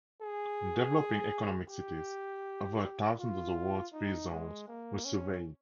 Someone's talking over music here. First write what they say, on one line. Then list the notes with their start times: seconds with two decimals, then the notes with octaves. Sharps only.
In developing economic cities, over a thousand of the world's free zones were surveyed.
0.22 G#4
1.70 G4
3.19 F4
3.93 D#4
4.30 G#3
4.68 A#3
5.04 C#4